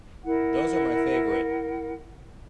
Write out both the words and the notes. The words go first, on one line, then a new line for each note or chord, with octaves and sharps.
Those are my favorite.
E4 A#4 F#5